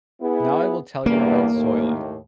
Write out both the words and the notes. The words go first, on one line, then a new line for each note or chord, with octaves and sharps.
Now I will tell you about soiling.
B3 E4 G#4
E2 G2 A#3
D#2 A2